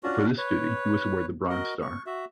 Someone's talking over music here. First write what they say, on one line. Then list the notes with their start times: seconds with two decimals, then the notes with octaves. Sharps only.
For this duty, he was awarded the Bronze Star.
0.03 C#4 D4 F4 F#4
0.38 B4 C#5
1.50 F#4 A#4 D#5
1.82 C#6
2.06 F#4 E5